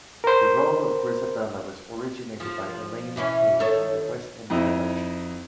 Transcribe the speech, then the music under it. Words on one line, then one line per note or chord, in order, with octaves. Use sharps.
The role of Grizabella was originated by Elaine Paige in the West End production.
A#4 C5
F3
B2 E3 C#4
D#3 A4 C#5
F2 D#4 E4